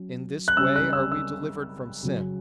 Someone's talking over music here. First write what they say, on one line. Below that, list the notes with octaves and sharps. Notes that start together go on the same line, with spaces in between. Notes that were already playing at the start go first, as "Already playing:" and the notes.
In this way are we delivered from sin.
Already playing: F#3 C#4
F#6
C#3 G3 C#4 E6
F#6
E6
E6
C#3 F#3 C#4